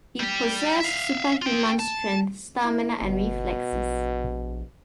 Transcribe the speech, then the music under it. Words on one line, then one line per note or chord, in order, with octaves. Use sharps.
He possessed superhuman strength, stamina, and reflexes.
G3 G4
E5 F5
F4 G5
A5
E4
G1 B2
A#1